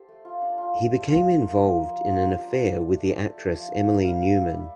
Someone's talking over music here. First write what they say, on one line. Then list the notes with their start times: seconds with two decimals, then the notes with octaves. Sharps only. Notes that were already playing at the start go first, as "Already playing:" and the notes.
He became involved in an affair with the actress Emilie Neumann.
Already playing: G4 A4 C5
0.08 A3
0.25 F4
0.42 D4
0.58 F4
0.75 A3
0.91 A3
0.98 G4
1.07 F3 F4
1.24 F4
1.40 A#3
1.57 F3
1.73 A#3
1.89 A#3
2.06 F3
2.23 A#3
2.39 D4 G4
2.55 D4
2.72 D4
2.89 A3
3.04 A3 G4
3.22 A3
3.27 A4
3.37 A3 G4
3.54 F3
3.71 A#3 E5
3.87 A#3
3.92 E5
4.03 G3 F5
4.21 A#3
4.37 G3 E5
4.53 G3